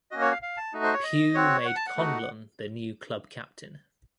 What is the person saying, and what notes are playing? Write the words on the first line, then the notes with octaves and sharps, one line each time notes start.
Pugh made Conlon the new club captain.
A#3 C#4 F#4 D#5
C#5
F5
F5
A5
A3 D#4 F#4
C5
C#5
D#5
C4 F#4 C#5
F#5
A5
F#5
A3 D#4 F#4